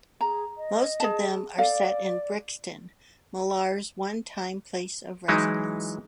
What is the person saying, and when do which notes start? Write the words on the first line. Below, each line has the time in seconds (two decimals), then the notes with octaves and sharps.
Most of them are set in Brixton, Millar's one-time place of residence.
0.21 G#4 A#5
0.58 D#5
1.00 G#4 A5
1.58 A4 D5 F5
5.28 E3 F#3 G#3 D#4 E4